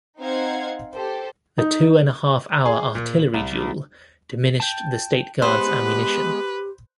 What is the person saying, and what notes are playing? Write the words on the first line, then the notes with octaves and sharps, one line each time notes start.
The two and a half hour artillery duel diminished the State Guard's ammunition.
C4 D#4 C5 F5 F#5 G#6
G4 A4 C5
D#4
G#4
A#2
F#7
C2
G5 A5
G#3 B3 G4 B4 C5 F#5